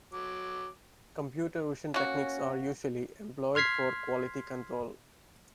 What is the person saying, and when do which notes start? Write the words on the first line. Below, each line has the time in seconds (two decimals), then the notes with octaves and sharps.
Computer vision techniques are usually employed for quality control.
0.13 F#3 D6
1.94 A#3 C#4 F#4
3.55 C6 F6 G#6 B6 C7